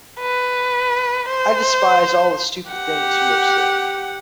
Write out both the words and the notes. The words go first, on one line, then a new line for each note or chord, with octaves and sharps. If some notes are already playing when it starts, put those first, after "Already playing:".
I despise all the stupid things you have said.
B4
C5
G4 F#5